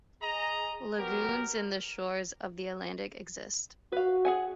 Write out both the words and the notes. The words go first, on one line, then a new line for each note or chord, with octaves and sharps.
Lagoons in the shores of the Atlantic exist.
G#4 D#5 A#5
F#3 B3 G4 A#4
F#4 B4 F5
G#4 F#5 G#5